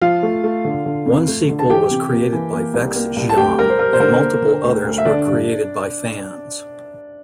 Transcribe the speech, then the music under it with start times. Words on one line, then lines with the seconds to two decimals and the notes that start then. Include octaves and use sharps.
One sequel was created by Vex Xiang, and multiple others were created by fans.
0.01 F3 F4 F5
0.23 A3
0.44 A3
0.65 D3
0.86 D3
1.06 F2
1.28 A3
1.49 D3
1.59 A5
1.70 E3 G4 G5
1.91 C3
2.12 A#3
2.33 E3
2.53 A#3
2.74 C2
2.96 A#3
3.16 C2
3.29 A5
3.37 D2 G4 G5
3.58 G3 A#4
3.69 C5
3.79 G3 A#4
3.93 C5
4.00 D3 A#4
4.21 A#3
4.42 D3
4.63 D2
4.84 D2
4.98 E5
5.05 D3 D4 D5
5.26 G2